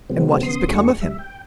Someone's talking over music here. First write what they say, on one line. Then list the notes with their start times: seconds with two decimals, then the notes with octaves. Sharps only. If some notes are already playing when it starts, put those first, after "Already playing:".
"And what has become of him?"
0.10 C3 F#3 G#3 B3 C4
0.43 C#3 B3 C6 D#6
0.68 E2 A3 D4 F#4 G#4 C#6
1.01 G3 E5
1.18 G5